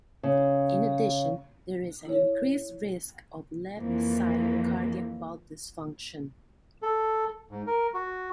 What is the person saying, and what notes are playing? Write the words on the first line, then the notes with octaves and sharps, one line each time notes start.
In addition, there is an increased risk of left-sided cardiac valve dysfunction.
C#3
E4 C#5
F2 E3 F3 A#3
A4
G#2
A#4
F#4